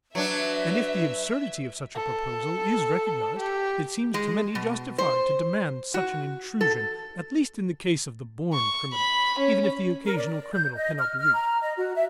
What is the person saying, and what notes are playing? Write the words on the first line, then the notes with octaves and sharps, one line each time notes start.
And if the absurdity of such a proposal is recognized it seems to many justified to demand such an intrusion at least in the case of the born criminal, even if the occasional criminal cannot be reached.
F#3 D4 B4 E5
A4
G4
G#3
B2
C5
F#4
A4
C#6
B5
C#4
A#4
D5
G6
D#5
F6
F6
A#5
D#5
F#4
E5